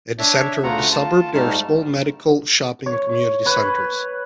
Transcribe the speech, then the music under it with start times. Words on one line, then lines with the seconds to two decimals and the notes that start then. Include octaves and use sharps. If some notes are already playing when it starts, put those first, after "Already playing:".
At the centre of the suburb there are small medical, shopping and community centres.
0.19 D4 C#5 E5
0.63 D2 C#3 A3 F4 F#5 A#5
0.91 F4 A5
1.34 G#2 G3 A3 D#4 A5 F6
2.86 C#5
3.46 B4 C#5